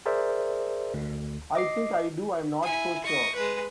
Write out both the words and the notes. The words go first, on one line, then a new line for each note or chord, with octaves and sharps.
I think I do, I'm not so sure.
G#4 A#4 C5 D5 E5
D2
D#5 D6 C7
E4 G#5
D#5 C#6
G#3 B4